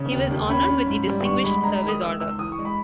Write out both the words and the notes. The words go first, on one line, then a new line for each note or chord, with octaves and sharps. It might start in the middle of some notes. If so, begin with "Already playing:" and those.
He was honoured with the Distinguished Service Order.
Already playing: C#3
D#2
D#2
C#4 B5
C#4
G#2
G3
G1 C#6
G#3 B5
G#3 A#5
B5
D#3
D#6
G#3 E6
C#2 E6
E3 D#6
C#6
G#3
B5